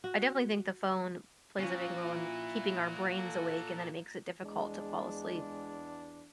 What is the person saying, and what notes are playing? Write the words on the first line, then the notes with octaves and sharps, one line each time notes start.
I definitely think the phone plays a big role in keeping our brains awake and then it makes it difficult to fall asleep.
F#4
A#2 F3 C#4 F#4
E4
A4
E2 G#3 D4